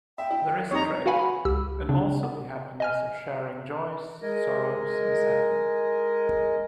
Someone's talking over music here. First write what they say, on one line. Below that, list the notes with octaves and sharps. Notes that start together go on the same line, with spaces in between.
There is trade and also the happiness of sharing joys, sorrows, and sadness.
E5 G5
E4
F2 G3 D#4 C#5 A#5 D#6
F#4 B4 F5 F#5 G#5 B5
B5
C#2 G4 E6
C#3 C4 D4
B3
D#5 G#5 F6
G#3 A#4 D#5 G#5